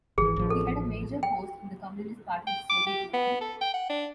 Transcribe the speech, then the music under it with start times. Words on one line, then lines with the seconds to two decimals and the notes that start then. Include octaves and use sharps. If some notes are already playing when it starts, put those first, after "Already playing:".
He had a major post in the Communist Party of the Soviet Union.
0.18 G#1 E3 G#4
0.36 A1 F3
0.50 A4
1.23 G5
2.47 G5
2.69 D6
2.87 G4
3.13 B3
3.41 A4
3.61 G5
3.74 F#5
3.89 D4